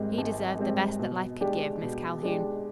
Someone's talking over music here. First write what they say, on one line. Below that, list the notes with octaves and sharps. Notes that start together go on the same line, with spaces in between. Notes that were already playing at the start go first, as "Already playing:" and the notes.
"He deserved the best that life could give, Miss Calhoun."
Already playing: G#1 G#2 G3 C4
G#1
G#2 G3 C4
B2
G#3 D4 G4
B2
G#3 D4 G4